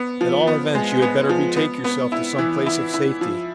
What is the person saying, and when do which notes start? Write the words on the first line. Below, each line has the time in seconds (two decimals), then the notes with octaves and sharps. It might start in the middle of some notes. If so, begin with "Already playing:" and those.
At all events, you had better betake yourself to some place of safety.
Already playing: B3
0.21 F3
0.47 B3
0.75 G#3
1.02 B3
1.29 F3
1.56 B3
1.84 B3
2.12 E4
2.38 E3
2.66 E4
2.94 E4
3.21 F3